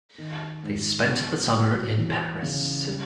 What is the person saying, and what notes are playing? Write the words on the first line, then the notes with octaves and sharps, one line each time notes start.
They spent the summer in Paris.
D#3
G#2
B3
F#4
E3
C#3
G3